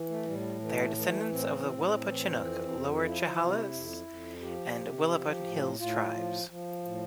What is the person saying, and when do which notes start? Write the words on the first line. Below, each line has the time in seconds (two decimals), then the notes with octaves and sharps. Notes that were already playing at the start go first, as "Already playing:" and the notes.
They are descendants of the Willapa Chinook, Lower Chehalis, and Willapa Hills tribes.
Already playing: E3
0.10 A3
0.26 A2 G3
0.61 E3 A3
0.96 E3 A3
1.30 A2 C4
1.65 A2
2.00 E3
2.34 F2
2.69 F2
3.03 F3 E4
3.26 E4
3.38 C3
3.50 E4
3.72 F2
4.07 F2
4.41 F3 G4
4.76 C3
5.11 F3
5.45 A2
5.79 A2 F4
6.14 F3
6.49 F3
6.83 A2